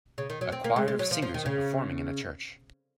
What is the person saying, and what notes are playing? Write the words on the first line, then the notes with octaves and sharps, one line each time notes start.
A choir of singers are performing in a church.
C#3
D#3
F#3
C4
A#3
G#3
G#3
F#3
F3
F3
D#3
C#3